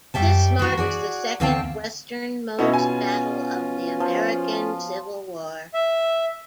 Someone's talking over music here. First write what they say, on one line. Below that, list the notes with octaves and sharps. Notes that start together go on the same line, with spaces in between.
This marks the second westernmost battle of the American Civil War.
F#2 G3 E5 G5 A5
F#4 A#4 C5
F#4 G#4 D5
D2 D3 C4 F5 G5 A5
B2 C#4 D#4 E4
C#4 F4 G#5
F3
E5